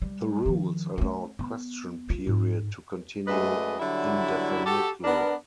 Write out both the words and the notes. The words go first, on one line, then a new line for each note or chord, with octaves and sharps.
The rules allowed question period to continue indefinitely.
G3
D#3 F3
A3 C#4
B3
F4
G#2
F#2 G#3 A3 B4 D5 D#5
D3 F#3 G3 E4
F#4 G4 A4
B3 D4 A#4